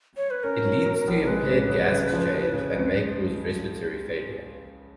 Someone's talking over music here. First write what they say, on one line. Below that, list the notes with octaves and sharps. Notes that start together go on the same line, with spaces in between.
It leads to impaired gas exchange and may cause respiratory failure.
C#5
B4
C#4 A#4
F#3
F#3
A#1
A#4
G#3 B4
C#3
C#3
C#3
F3
C#3
C#3
C#2